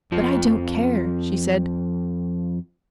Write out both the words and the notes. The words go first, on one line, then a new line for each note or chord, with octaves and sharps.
"But I don't care!" she said.
F2 F3